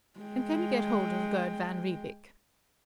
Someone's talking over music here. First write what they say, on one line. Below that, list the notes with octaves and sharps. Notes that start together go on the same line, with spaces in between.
And can you get hold of Gerd van Riebeek?
G#3 G5